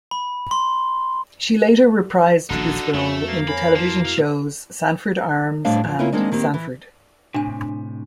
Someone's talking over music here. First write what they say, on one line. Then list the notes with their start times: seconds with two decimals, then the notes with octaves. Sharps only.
She later reprised this role in the television shows "Sanford Arms" and "Sanford".
0.11 B5
0.51 C6
2.50 D#1 A#1 D3 D4 D#4 F#4
2.94 F2 A3
3.28 A#3
3.48 C#5 G#5 B5
3.76 F3 E4 F#4
4.05 A#2 F5
5.65 A2 G3 D4 C5 F5
5.84 E2 F3
5.99 A#3 C4 C#4 E4 F4 B4
6.13 D#3 G#3 A#3 C4 D4 D#4
6.32 D#3 A#3 C4 G4
6.54 E3
7.34 A2 C3 D4 G#5